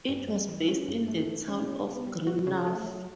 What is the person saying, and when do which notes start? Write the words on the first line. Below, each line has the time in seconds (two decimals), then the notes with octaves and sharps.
It was based in the town of Greenough.
0.09 G2
0.28 G3
0.48 E3
0.68 C#4
0.88 G2
1.08 A3
1.28 E3
1.48 C#4
1.67 C#3
1.87 B3
2.07 G3
2.27 F#4
2.47 C#3
2.67 A3
2.86 F#3